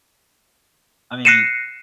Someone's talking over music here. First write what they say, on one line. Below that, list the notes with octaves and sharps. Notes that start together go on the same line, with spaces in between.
I mean,
F#6 A#6 C7 C#7 D#7 E7